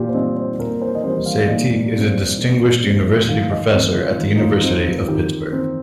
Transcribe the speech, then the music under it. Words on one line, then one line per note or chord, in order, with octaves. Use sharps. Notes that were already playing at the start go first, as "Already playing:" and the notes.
Saaty is a Distinguished University Professor at the University of Pittsburgh.
Already playing: A#2 F4 G4
C5
G3 C4 D#5
C5
A#2 A#4
C5
D#5
G3 C4 C5
F5
A#2 D#5
G3 C4
A#2
G3 C4
D#3 F5
D#5
C4 D#5
F4
D#3 D#4
D#4
F4
C4 D#4
F4
D#3 G4
C4